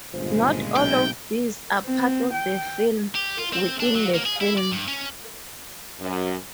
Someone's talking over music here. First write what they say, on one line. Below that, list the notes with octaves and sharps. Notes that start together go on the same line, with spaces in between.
Not all of these are part of the film-within-the-film.
G1 A#2 C#3 F3 G#3
B1 D#4 G5
C4
G5
G4
F4
C4
D4
F#3
A#3
G#4
E4
D5
G2
C#4
F#2